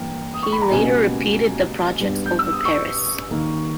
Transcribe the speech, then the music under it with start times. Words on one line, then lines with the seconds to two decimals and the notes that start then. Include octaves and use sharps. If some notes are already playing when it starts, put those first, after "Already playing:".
He later repeated the project over Paris.
Already playing: G2 E3 A#3 G5
0.34 D#6
0.43 C#6
0.52 B5
0.62 A#5
0.70 C#2 B2 G3 A#3 G#5
2.00 G2 G3 B3
2.26 G6
2.39 E6
2.53 D#6
2.65 C#6
3.31 D#2 D#3 A#3